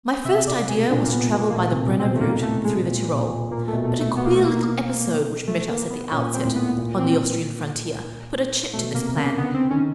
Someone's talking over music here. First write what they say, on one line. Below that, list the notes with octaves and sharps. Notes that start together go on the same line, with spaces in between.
My first idea was to travel by the Brenner route through the Tyrol; but a queer little episode which met us at the outset on the Austrian frontier put a check to this plan.
C3 E5
C3 D5
B2 G#4
A#2 D4
A#3
A#2 B3
A#2 A#3
A#3
A#2 A3
C3
B2
B2 C4
A3
A2 A#3
A3
G#3
A#2
A#2
A#2
A#2 A#3
A3
B2
A3
A3
B2 B3
A#3
A3
A#3
A3
A#3
B3
A#2 C#4
C4
A2
B3
A#2
C4
B2 A3
C3 A#3
C#3 A#3
D3 B3
C4
D#3 C#4